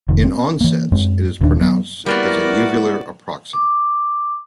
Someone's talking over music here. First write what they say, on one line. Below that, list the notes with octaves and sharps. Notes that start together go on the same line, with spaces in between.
In onsets, it is pronounced as a uvular approximant.
F1 D#3
C4
E3 A#3
F#2 G#3 C4
D#1 D#2 D#3 D4
F#3 B3
G3 A#3 B3 E4 F#4 A#4 D5
D6